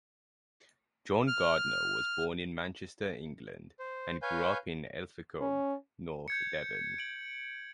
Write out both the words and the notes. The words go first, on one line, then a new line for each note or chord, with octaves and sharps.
John Gardner was born in Manchester, England and grew up in Ilfracombe, North Devon.
F6
C5
B4 C#5 F5 G#5 G6
C#4
G6 G#6 C#7
D7 F#7